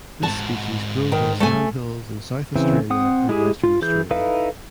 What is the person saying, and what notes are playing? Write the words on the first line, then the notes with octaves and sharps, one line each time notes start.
This species grows on sand hills in South Australia and Western Australia.
G#2 F#4 A5
D#3
A3 G#5
C#3 E3 C4
C4 F#5 D#6
G#3 E4 G4 G#4
F4
E3 G#4 G6
D#4 E4 A4 B4 F5